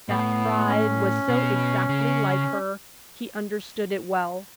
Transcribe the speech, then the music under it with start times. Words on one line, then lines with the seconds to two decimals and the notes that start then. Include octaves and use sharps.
That pride was so exactly like her, he understood it well.
0.09 A2 B3
0.69 C#4
1.28 B2
1.89 C#3